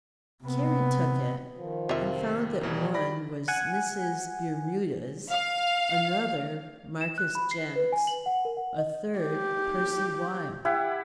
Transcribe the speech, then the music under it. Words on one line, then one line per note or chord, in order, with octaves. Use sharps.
Carrie took it and found that one was Mrs. Bermudez, another Marcus Jenks, a third Percy Weil.
C3 B3
D#3 F3
F2 C3 F4 E5
E2 B2 E3 G3
D5 B5 A#6
F#5 G#5
F5
E7
F#6
B5
C7
B4
G#5
F#7
F#5
A#4
F#5
D#5
G4
E4 G4 F#5